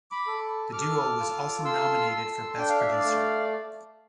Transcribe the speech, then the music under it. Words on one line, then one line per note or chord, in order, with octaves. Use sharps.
The duo was also nominated for Best producer.
B5 D6
A4
A4 D6 F6
F4
A4 C6 E6
A4
D4 G5
F5
E5
D5 F5
A3